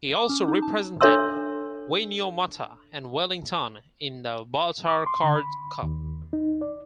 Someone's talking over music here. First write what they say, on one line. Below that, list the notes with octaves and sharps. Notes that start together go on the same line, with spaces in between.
He also represented Wainuiomata and Wellington in the Bartercard Cup.
D6
C#4
D#4
A5
D4 A4 C#5 E5 C6 E6
D6
C6
D3
B5
D#2
D#4
D5